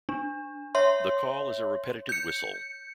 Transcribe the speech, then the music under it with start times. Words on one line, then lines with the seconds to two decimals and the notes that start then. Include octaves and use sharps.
The call is a repetitive whistle.
0.09 D4
0.75 C#5 E5 C6
2.09 G6 C#7